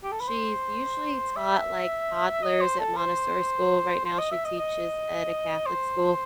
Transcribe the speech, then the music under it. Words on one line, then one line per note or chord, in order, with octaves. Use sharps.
she's usually taught, like, toddlers at Montessori school. Right now she teaches at a Catholic school.
G4
A4
B4
C5
E5
D#5
C5
A4
C5
C5
D#5
E5
D#5
D#5
C5